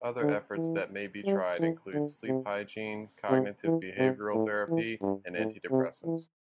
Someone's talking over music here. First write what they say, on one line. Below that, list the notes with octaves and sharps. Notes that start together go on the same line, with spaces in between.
Other efforts that may be tried include sleep hygiene, cognitive behavioral therapy, and antidepressants.
D3
E3
G3
E3
D3
C3
C3
E3
C3
A2
E3
G2
A2
C3
E3